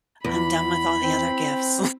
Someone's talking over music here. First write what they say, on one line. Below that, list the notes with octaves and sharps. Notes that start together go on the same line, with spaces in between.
I'm done with all the other gifts."
E2 B5
C4